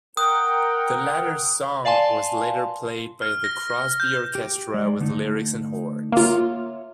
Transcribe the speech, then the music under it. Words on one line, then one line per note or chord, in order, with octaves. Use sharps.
The latter song was later played by the Crosby orchestra with lyrics and horns.
A#4 F#5 G5 D#6
D5 F5 G#5 A5 C6
F6
A#6
A#6
G6
G4
G#3 D5
D3 A3 D#4
A#3 F4 C#5 E5